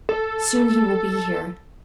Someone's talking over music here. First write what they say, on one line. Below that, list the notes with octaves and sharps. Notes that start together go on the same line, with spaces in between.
Soon he will be here.
A4